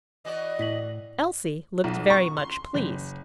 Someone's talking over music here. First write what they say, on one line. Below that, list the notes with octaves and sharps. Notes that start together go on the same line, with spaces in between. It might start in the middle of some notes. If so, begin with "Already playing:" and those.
Elsie looked very much pleased.
E3 F#4 D5 D#5
A2 E4 B6 F#7
B1
C#6
C6
F#1